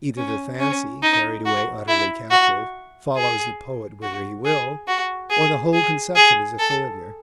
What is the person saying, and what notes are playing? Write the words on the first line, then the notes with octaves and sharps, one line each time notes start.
Either the fancy, carried away utterly captive, follows the poet whither he will, or the whole conception is a failure.
C#4
C#4
D#4
F#4
E4
F#4
G#4
F#4
G#4
F#4
G#4
G#4
G#4
A4